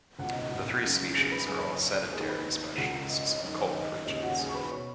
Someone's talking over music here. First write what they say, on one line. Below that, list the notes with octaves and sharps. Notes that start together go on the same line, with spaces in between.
The three species are all sedentary specialists of cold regions.
C#2 B2 F#5
D#5
F#4 F#5
F#2 C#3
G#4 G#5
B4 B5
F#2 C#3 G#4 G#5
B4 B5
C#5 C#6
D#2 D#3 G#4 G#5
B4 B5
C#2 C#3 F#4 F#5
D#5
D#5
C#5
F#2 D#3 D#5
C#5
D#5
D#2 C#3 D#5
F#4 F#5
G#4 G#5
C#6
B4 B5
B2 C#5 C#6